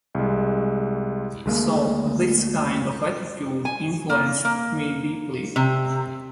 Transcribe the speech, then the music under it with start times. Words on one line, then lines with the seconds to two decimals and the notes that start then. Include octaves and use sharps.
So this kind of attitude influenced me deeply.
0.15 C2 G#3
1.46 D2 G#3 A#3
3.65 G#5
4.10 A#3
4.45 A#3
5.56 C3